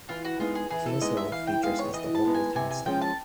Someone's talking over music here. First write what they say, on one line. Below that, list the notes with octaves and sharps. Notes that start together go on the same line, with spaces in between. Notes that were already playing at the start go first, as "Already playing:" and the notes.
Kings Hill features as the local town centre.
E3 F4
F#4
G#3 B3 D#4 F4
G#4
E3 G#4
A4
G#3 B3 D#4 D#5
E5
E3 F5
G5
G#3 B3 D#4 F5
C#5
E3 D#5
A5
G#3 B3 D#4
G#5
C3 G#5
G#5
F3 G#3 C#4 G5
A5